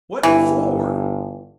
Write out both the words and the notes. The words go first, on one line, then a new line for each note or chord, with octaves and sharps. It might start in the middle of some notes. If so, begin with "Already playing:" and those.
"What FOR?"
G1 E3